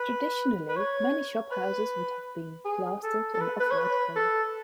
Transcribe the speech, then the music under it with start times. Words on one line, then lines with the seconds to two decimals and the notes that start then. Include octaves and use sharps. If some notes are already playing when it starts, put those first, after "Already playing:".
Traditionally, many shophouses would have been plastered an off-white colour.
Already playing: B4
0.69 B4
0.76 C#5
1.52 B4
2.65 G#4
3.03 A4
3.34 A4
3.41 B4
3.60 B4
3.71 C#5
3.78 B4
4.16 A4